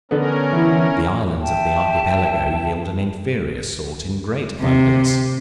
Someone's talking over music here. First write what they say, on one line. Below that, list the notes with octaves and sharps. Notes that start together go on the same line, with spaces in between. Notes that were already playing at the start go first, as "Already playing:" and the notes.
The islands of the Archipelago yield an inferior sort in great abundance.
D3 B3 C#4 A#4
E3 E4
E5 G5 A5
C3